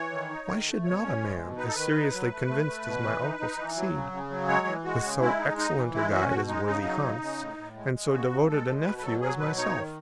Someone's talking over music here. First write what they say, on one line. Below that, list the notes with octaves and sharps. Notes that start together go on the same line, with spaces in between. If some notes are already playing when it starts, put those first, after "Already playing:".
Why should not a man as seriously convinced as my uncle, succeed, with so excellent a guide as worthy Hans, and so devoted a nephew as myself?
Already playing: E3 C#5
D#3
D#4
D#3
A3
B2 C#5
C#4
G#3
B2
D#4 B4
A4
D#3 B4
D#4
F#3
A3
A3
A3
B2
E3
D#4
D#4
E3
F#3
C#3
C#3
F#3
G#3 C#5
E3
G#3 F#4
C#3
G#3 E4
D#4
D#4
E3
G#3 E4
C#4 F#4
B2 F#4
G#3 D#4
C#3 D#4
F#3
C#3
C#3
A2
A2
G#3
G#3
C#3 F#4
C#3
G#3 A4
G#3
B2 B4
B4
F#3 A4
F#3 G#4
B2 B4
D#4 C#5
D#3